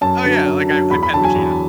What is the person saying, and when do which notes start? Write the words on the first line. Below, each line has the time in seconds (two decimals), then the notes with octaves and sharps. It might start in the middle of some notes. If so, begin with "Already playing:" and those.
Oh yeah, like I I pet the cheetah.
0.01 F#2 A5
0.25 D3 F#3
0.46 F#2
0.69 D3 F#3
0.91 E2 B5
1.03 B5
1.13 D3 A5
1.17 F#3
1.24 G#5
1.36 E2